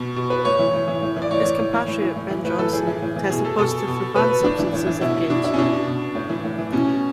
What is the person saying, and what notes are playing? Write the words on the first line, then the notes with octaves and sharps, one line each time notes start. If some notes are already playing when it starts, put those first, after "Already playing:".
His compatriot Ben Johnson tested positive for banned substances at the Games.
Already playing: B2
B2
B4
A2 C#5
E3
A2
E3
A2
E3
D5
A2 C#5
E3
A2
E3
A2
E3
A2
E3
A2 B4
E3 A4
A2 G#4
E3
A2
E3
B2 G#4
A4
B2 A4
B2
B2 B4
A2 D4
E3
A2
E3
B2 E4
B2 D4
E4
C#4
B2 D4
B2
A2
E3
A2
E3
B2 C#4